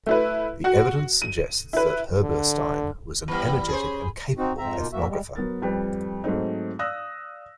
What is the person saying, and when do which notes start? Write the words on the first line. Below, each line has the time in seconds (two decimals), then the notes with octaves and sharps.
The evidence suggests that Herberstein was an energetic and capable ethnographer.
0.06 A3 E4 B4
0.64 F#4 F#5
1.22 D#7
1.73 E4 B4
2.22 D3
3.28 E3 G3 B3 B5
3.68 C#4 G#4 C5
4.38 C4 D#4 F#4
4.58 F2 G#2 C4 E5 A#5
4.77 B2 A#3 D#4 F4
4.93 E2 A2 E3 A#3 F#4 E5
5.08 G3 G#3
5.36 F#3 B3 A#4 A6
5.62 F2 G3 B4
6.24 G#2 F#3 A3 C4 D#4
6.79 D5 F5 D#6 E6 F#6 A#6